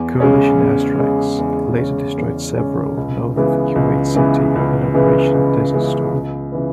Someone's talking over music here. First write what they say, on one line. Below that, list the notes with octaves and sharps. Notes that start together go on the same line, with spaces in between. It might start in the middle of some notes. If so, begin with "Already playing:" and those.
Coalition air strikes later destroyed several north of Kuwait City in Operation Desert Storm.
Already playing: E2
C#3 G#3 C#4
E2
C#3 G#3 C#4
E2
C#3 G#3 C#4
E2
C#3 G#3 C#4
C#2
C#3 E3 G#3 B3
C#2
C#3 E3 G#3 B3
C#2
C#3 E3 G#3 B3
C#2
C#3 E3 G#3 B3
C#2
C#3 E3 B3